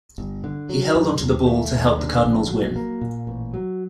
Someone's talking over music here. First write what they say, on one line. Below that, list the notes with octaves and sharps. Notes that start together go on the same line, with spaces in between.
He held on to the ball to help the Cardinals win.
G1
D3
F#3
F#2
D#2
A3
D#2
D3
A#1
F#3
A#3
A#2
A1
F#3